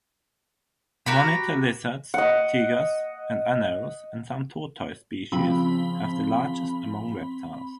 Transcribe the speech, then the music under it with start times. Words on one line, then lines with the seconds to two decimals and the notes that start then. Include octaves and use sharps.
Monitor lizards, tegus and anoles and some tortoise species have the largest among reptiles.
1.06 F#4 G4 A#5 B5
2.14 D#5 F#5
5.32 C#3 F3 C4 B5